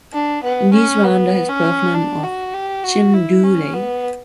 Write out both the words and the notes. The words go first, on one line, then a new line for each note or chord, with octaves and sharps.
These were under his birth name of Jim Dooley.
D4
B3
C#4
B3
C#4
D4
F#4
G4
F#4
E4
C#4
B3